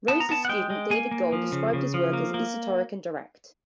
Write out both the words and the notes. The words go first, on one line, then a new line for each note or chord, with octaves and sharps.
Rose's student David Gold described his work as esoteric and direct.
B3 A5
A#5
B3 A5
F#5
G#3 G5
G#3
A#3 G#5
A#3
F3
C#3
C#3
F3
A#3
A#3